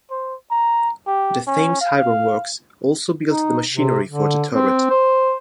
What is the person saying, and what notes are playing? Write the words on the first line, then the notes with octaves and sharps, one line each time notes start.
The Thames Ironworks also built the machinery for the turret.
C5
A#5
G4
C#4
F5
D#4
C3
D3
C4
C5